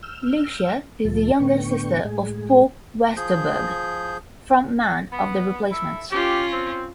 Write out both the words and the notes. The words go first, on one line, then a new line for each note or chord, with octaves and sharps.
Lucia is the younger sister of Paul Westerberg, front man of The Replacements.
E6 F6 G6
D2 A#2 F3 A4
A2 D3 B3 G5 C#6
A2 G#3 G#4
F3 G#4 G6
B3
E4 A4 E5
C#4 F4 G4
C4